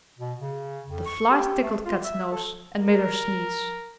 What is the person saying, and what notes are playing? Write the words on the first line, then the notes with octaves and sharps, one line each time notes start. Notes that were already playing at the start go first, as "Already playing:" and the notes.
The flies tickled Kat's nose and made her sneeze.
B2
C#3
F2
C#6
G4
A3
F4
E5
A4
A#4